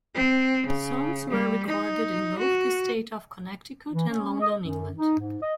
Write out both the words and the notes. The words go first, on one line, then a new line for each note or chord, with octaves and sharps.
Songs were recorded in both the state of Connecticut and London, England.
C4
C#3
G3
D#4
F#4
E3
C#4
D#5
F#2
D#4
G#2
D#5